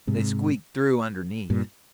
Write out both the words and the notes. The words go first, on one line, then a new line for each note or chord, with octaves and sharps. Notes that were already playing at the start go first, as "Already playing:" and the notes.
They squeaked through underneath.
G#2 C3
G2 A#2